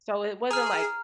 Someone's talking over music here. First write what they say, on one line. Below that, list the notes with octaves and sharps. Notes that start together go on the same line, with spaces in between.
So it wasn't like
G#4 A#5 F6